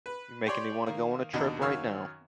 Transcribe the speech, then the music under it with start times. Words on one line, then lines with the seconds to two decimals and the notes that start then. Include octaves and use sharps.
You're making me wanna go on a trip right now.
0.06 B4
0.46 G4 C#5 D5 C6
0.86 D#3 A#3
1.33 D#2 B2 D4 D#4
1.61 F#2 D#3 C#5 F5 E6